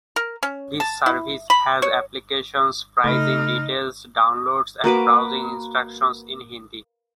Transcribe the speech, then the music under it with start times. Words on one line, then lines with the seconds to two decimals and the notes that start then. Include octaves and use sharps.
This service has applications, pricing details, downloads and browsing instructions in Hindi.
0.16 A#4
0.43 C#4
0.80 A5
1.06 E4
1.50 B5
1.82 C#5
3.04 C#3 A3 D#4 B5 F6 D7
4.84 A#3 F#4 B4 D6